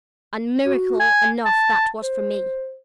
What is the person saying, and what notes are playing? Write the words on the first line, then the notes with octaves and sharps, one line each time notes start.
And miracle enough that was for me.
F#4
G#5
A5
C5